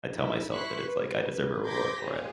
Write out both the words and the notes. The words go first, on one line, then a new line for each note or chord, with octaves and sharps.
I tell myself that it's like, "I deserve a reward for it."
D#4 E4
E4 C6 C#6 F#6 B6
B4
C6 D6 G6 G#6 A#6 B6
F4 G4 G#4 C5